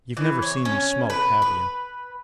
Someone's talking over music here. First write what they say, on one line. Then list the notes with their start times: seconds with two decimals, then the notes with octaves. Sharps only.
You've never seen me smoke, have you?
0.17 E3
0.42 C#5
0.65 C#4
1.10 B4
1.42 B4